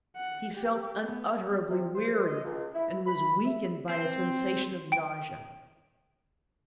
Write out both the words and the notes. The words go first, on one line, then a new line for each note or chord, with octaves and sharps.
He felt unutterably weary, and was weakened by a sensation of nausea.
F#5
G4
B3
C3
C5
D#5
C#2
E4
B5
E5
C4
G5 D7